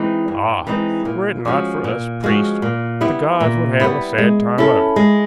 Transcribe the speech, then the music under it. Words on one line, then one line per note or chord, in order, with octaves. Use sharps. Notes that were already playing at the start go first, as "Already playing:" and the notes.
Ah! were it not for us priests, the gods would have a sad time of it.
Already playing: E3 G#3 C4 D#4
G2
E3 G#3 C4 D#4
A#2
F3 G#3 C#4 F#4
A#2
F3 G#3 C#4 F#4
A#2
G3 B3 E4
A#2
G3 B3 E4
G#3
C#4 E4 A4
G#3